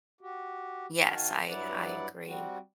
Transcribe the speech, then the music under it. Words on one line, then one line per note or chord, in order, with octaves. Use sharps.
Yes, I I agree.
F#4 G4
D#3 F#4 F5 G#5 A5
G2 F#3 E4 B4 D5 F#5
G3 C4 F#4